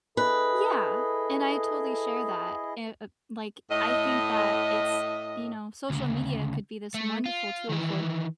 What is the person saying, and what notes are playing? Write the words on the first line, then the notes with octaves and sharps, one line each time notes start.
Yeah, and I totally share that e uh, like, I think that it's You know, social media could be this wonderful tool for,
E4 G#4 A4 B4 D#5
A2 D#5
D2 C#3
A3
F4
D#3 E3